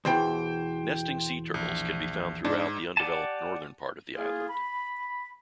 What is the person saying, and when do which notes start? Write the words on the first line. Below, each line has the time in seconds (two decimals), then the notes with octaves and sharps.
Nesting sea turtles can be found throughout the undeveloped northern part of the island.
0.05 E2 B2 E3 C5 G5
1.54 A#1
2.45 G#2 D4
2.97 G4 D5 F#5 G#5 A5
4.16 A#3 E4 F4 G#4
4.49 B5